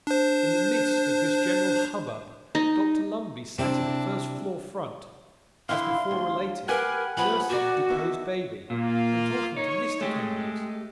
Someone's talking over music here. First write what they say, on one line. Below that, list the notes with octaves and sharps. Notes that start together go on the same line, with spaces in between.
In the midst of this general hubbub, Dr Lumbey sat in the first-floor front, as before related, nursing the deposed baby, and talking to Mr Kenwigs.
D4 C5
D#4
C3 C4 D4 E4
D3 E4 F5 C6
D2
G4 A#4 B4 F5 F#5 G#5 F#6
F3 B3 C#4 B5
F#4 G4 A#4 D5
E2 D#4 E5
A#2 A#3 F4
D#4 C#5
G#3 A3 G4